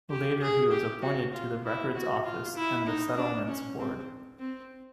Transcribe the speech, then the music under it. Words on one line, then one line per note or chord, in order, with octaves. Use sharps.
Later he was appointed to the Records Office and Settlements Board.
G4
G#4
G4
F#4
F4
E4
F#4
F4
E4
D#4
D4
C#4
C4
C4